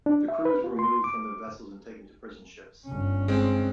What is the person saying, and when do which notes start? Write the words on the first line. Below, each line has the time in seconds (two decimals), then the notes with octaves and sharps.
The crews were removed from their vessels and taken to prison ships.
0.06 D4
0.28 E5
0.45 B4
0.64 F4
0.79 C6
1.04 D6
2.86 G1 C#4
3.28 G#3 C4